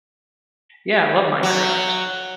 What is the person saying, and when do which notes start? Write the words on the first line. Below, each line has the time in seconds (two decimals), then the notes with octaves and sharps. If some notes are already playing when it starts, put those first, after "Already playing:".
Yeah, I love Minecraft.
1.43 F#3